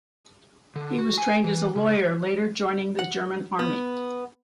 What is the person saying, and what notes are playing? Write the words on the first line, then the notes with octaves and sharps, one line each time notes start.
He was trained as a lawyer, later joining the German Army.
D3
F#4
G#5
E3
C#3
F#5
B3